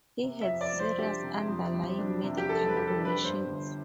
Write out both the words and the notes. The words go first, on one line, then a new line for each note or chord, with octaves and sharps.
He had serious underlying medical conditions.
C3
E5
F2
D5
G3
C5
D4 G4
C3
F2
G3
D4
C3
G4
F2 A4
B4
G3 G4
A4
D4 A4
B4
G2 C5
G1